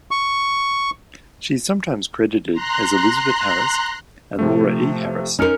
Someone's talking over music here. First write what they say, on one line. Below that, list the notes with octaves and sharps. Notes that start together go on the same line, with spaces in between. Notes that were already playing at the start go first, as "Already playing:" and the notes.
She is sometimes credited as Elizabeth Harris and Laura E. Harris.
C#6
A#5 C6 F#6
C3 F3 A3
C#4 D#4 A#4 F6 C#7